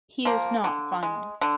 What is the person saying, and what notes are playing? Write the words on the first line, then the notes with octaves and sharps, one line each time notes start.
He is not final.
F3 A#3
D3
G#3
D3